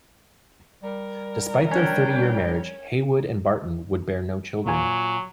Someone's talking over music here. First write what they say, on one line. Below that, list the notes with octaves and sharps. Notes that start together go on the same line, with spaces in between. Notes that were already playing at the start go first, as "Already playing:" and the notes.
Despite their thirty-year marriage, Heywood and Barton would bear no children.
G3 A#4
C#4 D4 G5
A#2 F#3 F4 G#5